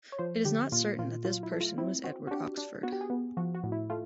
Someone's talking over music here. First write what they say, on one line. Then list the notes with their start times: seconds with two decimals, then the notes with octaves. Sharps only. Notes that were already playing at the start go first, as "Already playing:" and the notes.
It is not certain that this person was Edward Oxford.
0.12 C#5
0.19 F3 C5
0.45 D3 G4
0.72 A#2 F4
0.99 A#2 F4
1.25 F#3 F4
1.43 E4
1.51 A3
1.60 F4
1.78 C4 E4
2.04 C4 F#4
2.27 F#4
2.31 D4 G4
2.58 D4
2.83 B3 F#4
2.93 G4
3.01 G#4
3.10 B3
3.37 F3 F#4
3.55 F#4
3.64 A2
3.72 E4
3.90 A3 F4